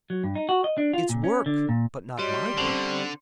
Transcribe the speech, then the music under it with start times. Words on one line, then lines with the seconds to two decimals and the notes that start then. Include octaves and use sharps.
It's work--but not my work.
0.10 F#3
0.24 G2
0.35 D#4
0.49 F#4
0.64 D#5
0.78 D4
0.93 F4
1.09 A#2
1.24 C#4
1.46 D3
1.69 A#2
2.19 G3 F#4 C#5 D#5 C6
2.58 D3 C4 C#4 C5